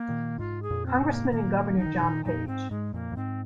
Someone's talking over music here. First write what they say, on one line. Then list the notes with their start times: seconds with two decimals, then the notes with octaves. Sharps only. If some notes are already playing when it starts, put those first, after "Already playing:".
Congressman and Governor John Page.
Already playing: A#3
0.09 A#2 D#3
0.39 G#2 F4
0.62 G#4
0.71 F2 A#2
0.86 C4
1.01 G#2 C3
1.09 A#3
1.31 A#2 D#3 A#3
1.78 F3 D#4
1.86 D#3
1.94 C3
2.03 A#2 D#3
2.24 F2 A#2 D#4
2.47 G#2 C4
2.71 G#2 G#3
2.94 F2 A#2 A#3
3.12 F2
3.17 G#2 C4